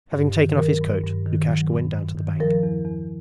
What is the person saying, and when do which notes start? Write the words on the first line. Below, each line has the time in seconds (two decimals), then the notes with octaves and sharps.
Having taken off his coat, Lukashka went down to the bank.
0.12 G2
0.36 D#3
0.57 F#3 A#4
0.81 G2
1.04 G2
1.26 D#3
1.48 F#3
1.72 G2
1.95 G2
2.17 D#3
2.40 F3 A#4
2.63 E2
2.86 E2